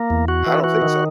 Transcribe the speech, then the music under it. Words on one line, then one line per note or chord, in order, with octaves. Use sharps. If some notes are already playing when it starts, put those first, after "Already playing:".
I don't think so.
Already playing: A#3
E2
F#4
E3
F#4
D#3